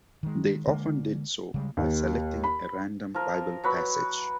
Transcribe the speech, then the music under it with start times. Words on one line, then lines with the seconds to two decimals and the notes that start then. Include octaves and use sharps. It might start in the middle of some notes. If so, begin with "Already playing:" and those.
They often did so by selecting a random Bible passage.
0.23 D#3 G#3
0.67 D3 G#3 A#3
1.54 C#3 G3 G#3
1.77 D#2
2.44 B5
3.14 F3 A#4
3.63 F#3 B4 B5